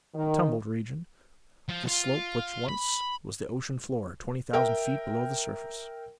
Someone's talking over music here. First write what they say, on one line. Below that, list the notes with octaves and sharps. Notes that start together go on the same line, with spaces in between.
A tumbled region, this slope which once was the ocean floor twenty thousand feet below the surface.
D#3
F3
F4
B5
A#4 E5 G5